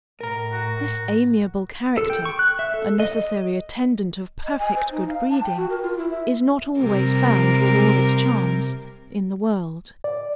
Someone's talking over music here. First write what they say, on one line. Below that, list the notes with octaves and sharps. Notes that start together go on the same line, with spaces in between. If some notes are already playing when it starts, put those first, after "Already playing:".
This amiable character, a necessary attendant of perfect good breeding, is not always found with all its charms, in the world.
A2 A#4 A#5
F#4
A4
G5
C#6
F#6
E5
A4
D#5
D#5
D#5
G#5
C5
D#4
F5
A5
G5
F#4
A#4
F4
E4
E5
C3 G3 A#4
D5